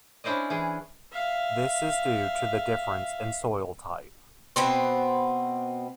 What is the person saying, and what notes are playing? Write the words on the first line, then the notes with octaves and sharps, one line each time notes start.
This is due to the difference in soil type.
C#4 D4 E4 C5 D5 D#5
E3 G#4
E5 F5
B2 B3 C4